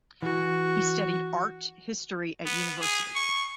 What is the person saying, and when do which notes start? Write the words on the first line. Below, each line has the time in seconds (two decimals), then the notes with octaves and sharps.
He studied art history at university.
0.22 E3 F#4
2.46 B3
2.82 G#4
3.15 C#6